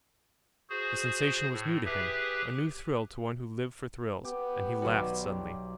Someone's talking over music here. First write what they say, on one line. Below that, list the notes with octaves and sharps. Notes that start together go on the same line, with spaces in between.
The sensation was new to him--a new thrill to one who lived for thrills, and he laughed suddenly.
F#4 G#4 C5
A2
G4 G#4 B4 E5
B3 G4
B1 G3 F#4 D5